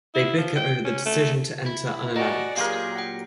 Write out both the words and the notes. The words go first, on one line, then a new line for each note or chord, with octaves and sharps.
They bicker over the decision to enter unannounced.
E4
F3
G5
C#4
A3
E4
A3 F#4 G4 D5 D#5 G#5 A#5
A#2 F#3 G4 G#4 A#4 F5 C6 F6
F#5 G5